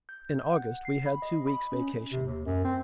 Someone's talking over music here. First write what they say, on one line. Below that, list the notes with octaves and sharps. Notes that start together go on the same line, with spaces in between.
In August we had two weeks' vacation.
G6
F#5
C7
B5
D#5
B5
C#4
C3
D#2
F#2
C4